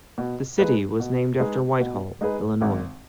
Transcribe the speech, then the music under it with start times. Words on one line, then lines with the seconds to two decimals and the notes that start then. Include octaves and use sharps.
The city was named after White Hall, Illinois.
0.18 B2
0.59 G#3 D#4 G#4 B4
1.00 B2
1.40 G#3 D#4 G#4 B4
1.81 B2
2.21 G#3 D#4 G#4 B4
2.61 G#1